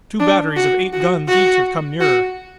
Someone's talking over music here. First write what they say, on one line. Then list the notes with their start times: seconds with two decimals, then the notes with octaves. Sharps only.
Two batteries of eight guns each have come nearer.
0.20 D4
0.57 F#4
0.93 F#4
1.29 F#4
2.01 F#4